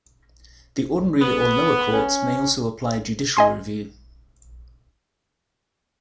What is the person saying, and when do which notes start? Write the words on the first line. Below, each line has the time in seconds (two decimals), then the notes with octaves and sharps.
The ordinary or lower courts may also apply judicial review.
1.20 B3
1.94 C#4
3.37 D#5 G#5 C6